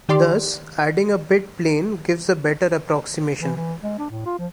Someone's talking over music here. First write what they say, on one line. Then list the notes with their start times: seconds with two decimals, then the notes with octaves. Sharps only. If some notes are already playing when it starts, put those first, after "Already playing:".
Thus, adding a bit plane gives a better approximation.
0.09 D#3 G4 D5 C6
3.40 E3
3.57 E3
3.83 G#3
3.99 D4
4.10 A2
4.26 F4
4.39 F3